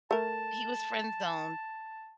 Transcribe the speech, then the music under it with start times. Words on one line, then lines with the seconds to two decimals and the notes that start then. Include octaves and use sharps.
he was friend zoned
0.11 A3 A#4 A5